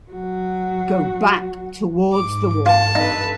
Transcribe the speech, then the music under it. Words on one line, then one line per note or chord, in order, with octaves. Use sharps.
Going back towards the wall!
F#3 F#4
G#2 D6
F4 A5
G2 D#4 A4 B4